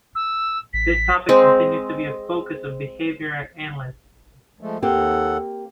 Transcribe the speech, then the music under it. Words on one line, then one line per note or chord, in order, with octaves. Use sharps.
This topic continues to be a focus for behavior analysts.
E6
A1 B6
G#3 C4
F3 G#3 A3
D#2 A#3 C4 G4 A4 F#5